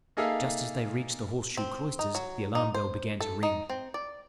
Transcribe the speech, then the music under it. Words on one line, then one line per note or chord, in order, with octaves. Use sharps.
Just as they reached the Horseshoe Cloisters, the alarm-bell began to ring.
A#3 D#4 G#4 A4 E5 F5
C4
D#4
F#3
D#4
C5
A4
D#4
C4
D5